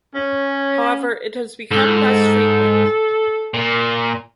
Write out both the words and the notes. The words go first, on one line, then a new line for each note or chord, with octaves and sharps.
However it has become less frequent.
C#4
G#2 A4
A#2